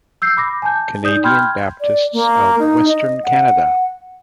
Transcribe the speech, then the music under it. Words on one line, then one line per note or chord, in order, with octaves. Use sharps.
Canadian Baptists of Western Canada.
E6 G6 C7
B5 D6 A#6
G#5 A5 G6
D#4 D5 D#6 G6
G5 B5 C6 F6 G6 G#6
D5
A#3
D#4
D#5
F#5